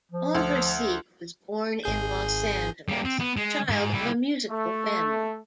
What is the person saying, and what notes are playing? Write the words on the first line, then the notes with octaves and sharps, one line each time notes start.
Ondrasik was born in Los Angeles, a child of a musical family.
F3
D2
G#1 G#4 G6
G3 A#3
C4
B3
G#3
G#2
G3 E4
A3